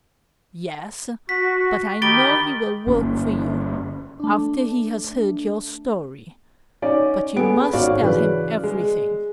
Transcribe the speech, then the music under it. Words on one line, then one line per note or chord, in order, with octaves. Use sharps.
"Yes, but I know he will work for you--after he has heard your story. But you must tell him everything."
F#4 B6
D#3 G4 B5 A6 D7 G7
G1 A#3 C#4
A3 D4
C#4 D#4 D5
B3 G#4 A4 D7
G#1 C#4 F#4 D5 F5
C#3 E3 B4
G#3